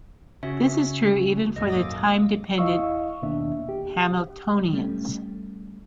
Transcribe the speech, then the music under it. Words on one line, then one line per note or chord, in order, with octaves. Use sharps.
This is true even for time dependent Hamiltonians.
C#3 F#4 E5
D#1 G#1 F#2 D#5
A#3 D6 D#6
D#2 E4 D#5 F5 C#6 E6
D#2 B2 D#3 A#3 D4 E5
G4
G3 A3 A#3 C#4